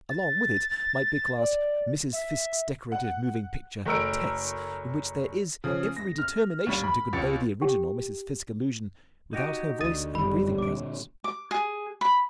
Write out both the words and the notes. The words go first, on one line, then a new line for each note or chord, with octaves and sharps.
Along with it might be classed Mrs. Fiske's decorative moving picture Tess, in which there is every determination to convey the original Mrs. Fiske illusion without her voice and breathing presence.
A6
D5
E5
F#5
F#1 A3 A#4 E6 D7
C#3 F3
A#6
F6
D#2 G3
B5
C#2 A6 C#7
G4 G5
D#4 F#4 G4
D2 D#6 A6 D#7
G1 F#2 D#3 G3 B5
A#2 D3 D6 D7
D6
G#4
B5